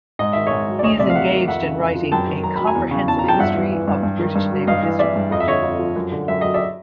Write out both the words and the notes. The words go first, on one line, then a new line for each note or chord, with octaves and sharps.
He is engaged in writing a comprehensive history of British naval history.
G#2 D#5
D#3 E5
G#2 C#5 D#5
F#3
D5
D2 C#5 D#5
C3 D5 E5
F5
F#3 E5 F#5
D#3
F2 E5 F#5
C#3
F2
F3
F#2 G5 A5
D#3
F#2 A#5
F#3 B5
G#5 A#5
E2
C#3
E2 A5
A#5
F3 G5 A5
G2 E5 F#5
E3
E3
G2
G2
D#3
G2
F#3
G2 D#5 F5
E3
E3 D5 E5
G2
F2 D#5
E5
D3 C#5 D#5
F2
F3
F#2
D3
F#2 E5
F#3 D#5
D5 E5